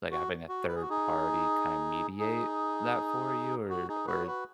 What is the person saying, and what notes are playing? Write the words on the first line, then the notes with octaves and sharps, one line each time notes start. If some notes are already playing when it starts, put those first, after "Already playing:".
like, having a third party kinda mediate that for you, or or,
F#4
F#4
B4
G#4
F#4
D#4 G#4
D#4 G#4
F#4
D#4 G#4
F#4 B4
C#5
F#4 B4